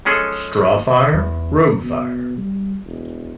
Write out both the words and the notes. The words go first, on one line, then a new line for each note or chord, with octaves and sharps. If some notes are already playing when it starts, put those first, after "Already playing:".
Straw fire, rogue fire.
F3 G#3 C#4 G#4 A4
E2
B2
G3
E1